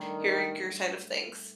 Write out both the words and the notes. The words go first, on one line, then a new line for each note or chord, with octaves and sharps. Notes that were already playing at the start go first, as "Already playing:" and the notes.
hearing your side of things.
Already playing: A2 D#3 G3 D4